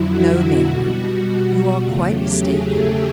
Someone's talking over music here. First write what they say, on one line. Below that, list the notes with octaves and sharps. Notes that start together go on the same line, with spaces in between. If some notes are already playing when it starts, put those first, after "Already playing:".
No, Mary, you are quite mistaken.
Already playing: F2 D3 F#3 E4
F#4
B2 G3 F#4
E2 C#3 F#3 A3 F4
G4
G#4
A4